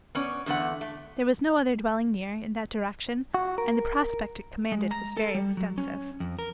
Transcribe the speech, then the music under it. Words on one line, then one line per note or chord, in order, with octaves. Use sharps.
There was no other dwelling near, in that direction; and the prospect it commanded was very extensive.
B3 C#4 C#5 D5
E2 D3 A3 B3 F#5
A3
F#4
A#4
G#3
A#5
A4
G3
F#3
C#4
F2
A#4